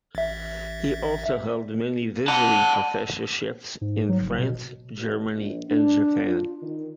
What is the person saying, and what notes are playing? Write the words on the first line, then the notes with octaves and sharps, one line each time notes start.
He also held many visiting professorships in France, Germany and Japan.
A1 E5
F#5 A5
G#2
F#3
F#1
B2
A1
A#1
D4
F4
D#3